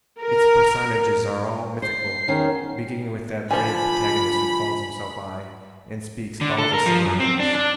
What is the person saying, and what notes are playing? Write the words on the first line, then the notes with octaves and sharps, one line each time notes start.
Its personages are all mythical, beginning with that brave protagonist who calls himself I and speaks all the soliloquies.
A#4
C5 C7
E2 D#3 C#4
D3 F3 G#5 B5
D3
A4
A#4
F3
F#2
C4
D4
D4